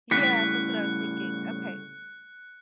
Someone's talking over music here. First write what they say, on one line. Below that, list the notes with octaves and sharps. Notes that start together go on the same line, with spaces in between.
Yes, that's what I was thinking. Okay.
A2 C#3 G3 F#6 B6 C#7